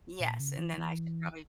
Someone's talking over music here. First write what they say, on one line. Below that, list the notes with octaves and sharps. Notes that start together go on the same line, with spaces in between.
Yes, and then I should probably
A#2
C#3
E3
E3